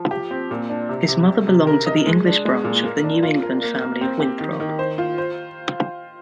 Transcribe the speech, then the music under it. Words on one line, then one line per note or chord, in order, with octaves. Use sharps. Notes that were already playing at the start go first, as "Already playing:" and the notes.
His mother belonged to the English branch of the New England family of Winthrop.
Already playing: F3
G4
C4
A#2
D4
C3
C3
C3
C3
A#4
D#5
G#3
D4
G#3
A#2
A#3
D4
F4
A#4
A#3
A#3
C4
G4
D#3
D#3
C5
F4
C5